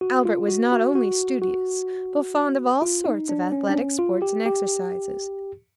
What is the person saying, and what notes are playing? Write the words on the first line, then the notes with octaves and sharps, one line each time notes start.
Albert was not only studious, but fond of all sorts of athletic sports and exercises.
F#4
F4
F#4
F#4
F#4
F#4
F4
D#4
D4
C#4
D4
C#4
F4
G4
G4